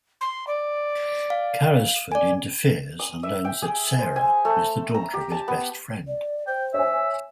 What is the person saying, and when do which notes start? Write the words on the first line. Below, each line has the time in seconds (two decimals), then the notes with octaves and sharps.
Carrisford interferes and learns that Sara is the daughter of his best friend.
0.21 C6
0.47 D5
1.30 F5
2.12 D5 G#5
2.99 D#6
3.23 E5
3.45 G5
3.62 G#4
3.99 C5
4.16 G#5
4.45 A3
4.94 A#5
5.14 G4
5.31 A5
5.48 B3
6.07 D5
6.47 C5 G5
6.74 C#5 E5 G#5